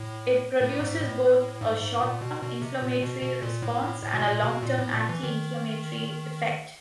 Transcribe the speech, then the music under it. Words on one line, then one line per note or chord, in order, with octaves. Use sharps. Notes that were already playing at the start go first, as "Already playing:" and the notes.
It produces both a short-term inflammatory response and a long-term anti-inflammatory effect.
Already playing: A2
A2
G#2
A2
G#2
G#2
A#2
B2
B2
C3
A#2
B2
B2
A#2
A2
A2
A2
B2
A#2
B2
A#2
A2
A#2
E3
D#3